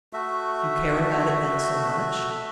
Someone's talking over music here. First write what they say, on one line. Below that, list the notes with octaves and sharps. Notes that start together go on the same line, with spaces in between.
"You care about it, then, so much?"
A3 F#4 E5